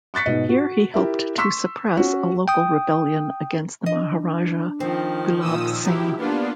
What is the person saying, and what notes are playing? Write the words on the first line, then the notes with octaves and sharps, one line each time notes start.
Here he helped to suppress a local rebellion against the Maharaja, Gulab Singh.
C#6 F#6 A6 B6 C#7
G#2 B2 D#5
F#4
E4 G4 A#4 E5
C6 C#6 E6 B6
C#4 F#4
G5 D#6
D4 D#5
D#3 F3 C4
A#2 F4 D#6 E6
F#3 E4 F#4 G4
A#3 B3 D4 F4 G4